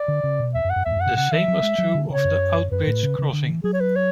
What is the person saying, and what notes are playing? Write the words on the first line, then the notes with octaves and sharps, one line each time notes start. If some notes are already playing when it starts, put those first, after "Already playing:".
The same was true of the Outerbridge Crossing.
Already playing: D5
D3
C#3
B2
E2 E5
F#2
F#5
F#2
E2 E5
G#2
F#2 F#5
B2
C#3 F#5
E3 E5
F#3
G#3
F#3
D3
C#3 C#5
F#2
F#2 B4
A2
C#3
C#3
D3
E3
F#3 G#4
C#5
B4
C#5